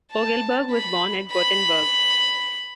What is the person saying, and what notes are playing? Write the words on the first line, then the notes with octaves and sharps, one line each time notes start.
Fogelberg was born at Gothenburg.
A5
B5
B5